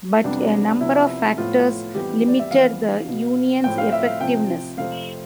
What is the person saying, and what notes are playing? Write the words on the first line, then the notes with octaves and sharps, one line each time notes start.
But a number of factors limited the union's effectiveness.
F2 C3 G3 B3 D4
C3 F3 B3 E4
A2 F3 B3 F4
F2 E3 G3 B3 G4
D5
E5
F2 E3 B3 F5
B2 B3
A2 F3 C4 G5
F5
E5
F5
C3 F3 C4 G5
F2 C3 F3 A3 C4 F5